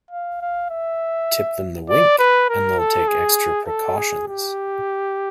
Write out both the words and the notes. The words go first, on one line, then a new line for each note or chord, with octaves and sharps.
Tip them the wink, and they’ll take extra precautions.
F5
F5
E5
D5
B4
A#4
A4
G#4
A4
G#4
G4